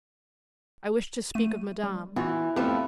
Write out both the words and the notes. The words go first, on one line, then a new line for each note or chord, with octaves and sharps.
"I wish to speak of Madame."
A3 D#7
G3
E3 B3 F4 F#4
F2 A3 B3 G4 B4 A5